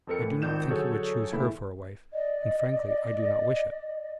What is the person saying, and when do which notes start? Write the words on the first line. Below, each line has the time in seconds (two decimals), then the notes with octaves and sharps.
I do not think he would choose her for a wife, and frankly I do not wish it.
0.07 F2 C4 A4 A#4 C#7
0.20 A2 E3
0.42 G#1 D#3 F4 D5 G6 E7
0.69 D3 F#3 F#4 G#4 A4 C#5
1.32 A2 C#3 E3 A#3 E4
2.13 D5 D#5